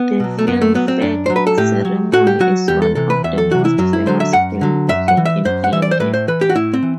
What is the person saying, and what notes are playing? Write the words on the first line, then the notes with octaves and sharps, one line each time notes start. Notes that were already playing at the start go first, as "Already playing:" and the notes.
The Filmfare ceremony is one of the most famous film events in India.
Already playing: B3
B2 F#3
A3
F#2 B3
A3
F#3 B3
C4
F#2 D4
F#3 C5
B4
A4
A2 G4
F#3
A2 F#4
G4
F#3 F#4
E2 G4
A4
C3 E3 A4
B4
E2 E5
A4
C3 E3 F#4
E4
F#2 F#3
E4
D3 F#3 C5
E5
F#2 F#5
D3 F#3
F#2 E5
F#5
E3
E5
F#2 C5
F#5
E3 E5
D5
C5
A2 B4
C5
E3 B4
G4
F#4
A2 E4
C4
E3